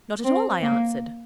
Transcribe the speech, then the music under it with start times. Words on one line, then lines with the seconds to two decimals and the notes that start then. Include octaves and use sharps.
'Not at all,' I answered.
0.24 C4
0.62 A#3